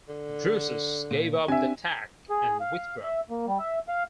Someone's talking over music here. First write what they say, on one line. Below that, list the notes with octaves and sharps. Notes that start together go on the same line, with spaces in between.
Drusus gave up the attack and withdrew.
D3
A#2
C4 D4 G4 E5 G#5
G#4
F5
E5
A#3
G3
E5
F5